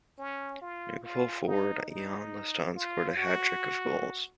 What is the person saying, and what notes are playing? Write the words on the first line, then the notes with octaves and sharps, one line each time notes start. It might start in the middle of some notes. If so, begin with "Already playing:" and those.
New full-forward Eoin Liston scored a hat-trick of goals.
C#4
F4
F4
D#4
D#4
F4
F#4